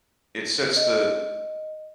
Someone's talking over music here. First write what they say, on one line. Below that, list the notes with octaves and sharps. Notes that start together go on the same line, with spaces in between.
it sets the
D#5